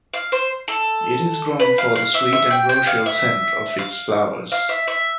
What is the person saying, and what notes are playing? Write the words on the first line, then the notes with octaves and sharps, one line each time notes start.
It is grown for the sweet ambrosial scent of its flowers.
F5
C5
A4
B4
F5
F5
E5
E5
G5
G5
F5
E5
F5
F5
E5
E5